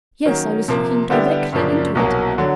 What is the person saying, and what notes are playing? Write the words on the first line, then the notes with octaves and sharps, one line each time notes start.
"Yes, I was looking directly into it."
D#3 F#3 A#3 C#4
C3 F3 A#3
D3 G3 B3 E4 G4
F#2 C#3 F3 A#3 D4
C2 B2 F#3 A#3
D3 F#3